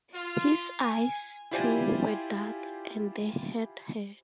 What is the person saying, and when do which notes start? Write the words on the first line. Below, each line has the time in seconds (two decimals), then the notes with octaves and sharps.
His eyes, too, were dark, and they hurt her.
0.14 F4
0.80 G#5
1.51 E4 F4 G4 C5 D5 G#5